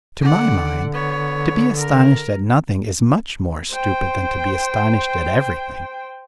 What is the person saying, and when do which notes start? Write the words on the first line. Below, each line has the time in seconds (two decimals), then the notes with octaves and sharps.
To my mind to be astonished at nothing is much more stupid than to be astonished at everything.
0.22 D3 D5 F#5
0.93 B3 C#5
1.78 A#4
3.72 C5 G5